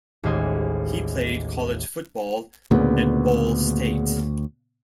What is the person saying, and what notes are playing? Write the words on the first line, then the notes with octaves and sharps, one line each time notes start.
He played college football at Ball State.
A1 D#2 G#3 C5 D#5 G#5
D2 A#2 C#3 B3